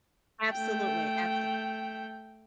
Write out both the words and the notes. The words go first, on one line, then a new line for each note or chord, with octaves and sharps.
Absolutely, abso
A3 G5